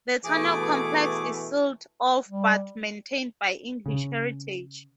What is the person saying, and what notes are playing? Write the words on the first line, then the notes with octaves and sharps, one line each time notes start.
The tunnel complex is sealed off but maintained by English Heritage.
B2 E3 A3 G#4 D6
G3
C#3